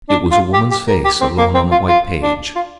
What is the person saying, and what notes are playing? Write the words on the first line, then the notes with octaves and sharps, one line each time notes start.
It was a woman's face, alone on the white page.
D4
F4
G4
G4
A#4
G4
C4
A#3
C4
F4
F4
D4
F4